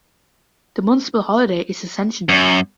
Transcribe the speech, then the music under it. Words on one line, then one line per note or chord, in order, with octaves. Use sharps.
The municipal holiday is Ascension Day.
F#2